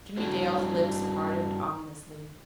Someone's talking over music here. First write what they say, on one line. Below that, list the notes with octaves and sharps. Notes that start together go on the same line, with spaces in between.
Jimmie Dale's lips parted ominously.
G2 G3 D4 E4 F#4 C5